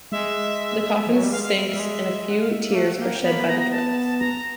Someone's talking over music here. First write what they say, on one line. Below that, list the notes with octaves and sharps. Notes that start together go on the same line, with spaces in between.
The coffin sinks and a few tears are shed by the twins.
G#3 E5
F3
F#3
G3
G#3 F5
F5
E5
E5
G3
G#3
F#5
F5
E5
E5
A#3
A3 F#5
A#3 G5
F#5
G5
B3 B5
A#3
B3
A#5
A#5
A5
A#5